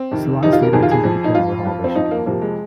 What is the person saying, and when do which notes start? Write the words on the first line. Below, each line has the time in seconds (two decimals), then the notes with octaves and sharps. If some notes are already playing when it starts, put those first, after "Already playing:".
Solanas later attempted to kill Warhol by shooting him.
Already playing: C4
0.12 F2 C3 D#3
0.43 F2 C3 D#3 D#4
0.52 F4
0.62 A#4
0.73 F2 C3 D#3 G#4
0.82 F4
0.91 G#4
1.04 F2 F3
1.24 D#4
1.34 F2 F3 F4
1.66 F2 F3
1.84 C4
1.95 F2 F3 D#4
2.11 A#3
2.26 F2 C3 F3 A#3
2.41 G#3